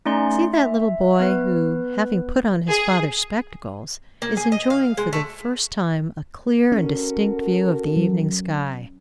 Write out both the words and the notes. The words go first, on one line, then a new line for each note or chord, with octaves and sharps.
See that little boy, who, having put on his father's spectacles, is enjoying for the first time a clear and distinct view of the evening sky.
A3 C#4 D#4 D5 C6
E5
B3 B4
G#4
A#3
G#4
D#5
F5
G#3
A3
C#4 F#4 A4 A#4
F#3